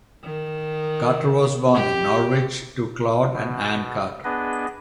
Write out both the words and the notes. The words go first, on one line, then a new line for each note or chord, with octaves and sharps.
Carter was born in Norwich to Claude and Anne Carter.
D#3
G4
B2
B3 D4 G#4 B4 D#5